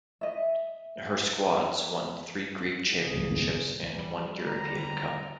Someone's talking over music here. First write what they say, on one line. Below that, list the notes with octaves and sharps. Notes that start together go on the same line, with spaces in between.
Her squads won three Greek Championships and one European Cup.
D#5 E5
C#3 G#4
E3 G3
D3 A#5